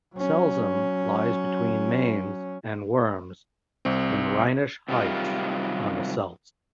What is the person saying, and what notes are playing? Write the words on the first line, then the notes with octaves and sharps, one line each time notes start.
Selzen lies between Mainz and Worms in Rhenish Hesse on the Selz.
F#3 C#4
C2 C4
C3 D#3 F#3 G3 F4